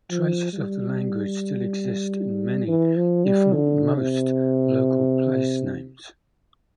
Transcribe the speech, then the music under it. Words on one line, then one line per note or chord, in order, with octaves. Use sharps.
Traces of the language still exist in many, if not most, local placenames.
F3
G3
E3
F3
G3
D3
C3